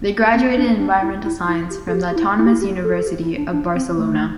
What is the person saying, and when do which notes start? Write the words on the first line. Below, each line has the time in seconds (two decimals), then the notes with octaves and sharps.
They graduated in environmental science from the Autonomous University of Barcelona.
0.34 C4
0.57 D4
0.80 D4
1.02 E4
1.25 E4
1.48 E4
1.70 G4
1.88 A4
1.93 G4
2.11 G4
2.16 E4
2.39 E4
2.46 G4
2.53 E4
2.62 G4
2.84 A4
2.98 A4
3.07 G4
3.22 E4
3.38 D4
3.53 D4
3.76 C4
3.98 A3